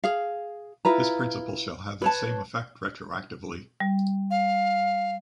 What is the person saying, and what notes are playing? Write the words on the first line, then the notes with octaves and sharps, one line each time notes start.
This principle shall have the same effect retroactively.
G#4 F5
E4 F4 B4 A#5
B4 C#5 A5
G3
F5